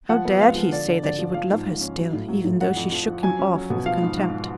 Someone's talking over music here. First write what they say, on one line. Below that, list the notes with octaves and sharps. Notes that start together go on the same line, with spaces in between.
How dared he say that he would love her still, even though she shook him off with contempt?
F3 F#5
B3
G#3 F5
F3
D3 D5
D3
D3 D5
F3
F3 F5
G#2
G#2
C#4
F#3
A2
F#3
A2
F2 F#5
F2
F3
F3
F#3 G#5
C#4
F#3
B2
F3 F5
G#2
G#2